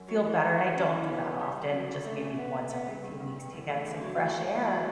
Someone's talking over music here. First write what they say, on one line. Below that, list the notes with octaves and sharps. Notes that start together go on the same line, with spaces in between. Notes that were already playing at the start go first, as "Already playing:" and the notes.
feel better and I don't do that often, just maybe once every few weeks to get some fresh air.
Already playing: F#2
F#3
E3
E3
F#4
C#4
E3
B3
F#2
G3
D3
F#3
D3
A3
C#3
B3
C#2
B3
G2
G2
G2
G2
E2
A3
D3
F#3
A2
A2
A2
F#3